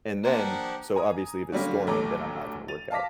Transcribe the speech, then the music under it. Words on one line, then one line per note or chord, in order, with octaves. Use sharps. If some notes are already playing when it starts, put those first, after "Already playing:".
And then so, obviously, if it's storming, then I'm not gonna work out.
A#3 D4 G4 A#4 C5 F#5 A5 C6
G#5 A#5 D#6
D3 F#3 G3 A#3 C#4
A1 D2 F#3 A4 A#5 D6
A6 D#7 F7
F5 A5 D6 A#6 B6